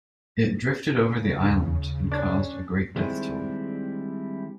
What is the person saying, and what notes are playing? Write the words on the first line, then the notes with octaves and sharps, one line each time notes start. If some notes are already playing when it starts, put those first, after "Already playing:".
It drifted over the island, and caused a "Great death toll".
C#3
D#2
C#4 D4
D#3 G3 G#3 C4 D4 E4